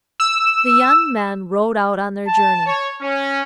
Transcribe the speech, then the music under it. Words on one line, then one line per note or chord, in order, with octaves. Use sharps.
The young men rode out on their journey.
E6
A5
C#5
C#4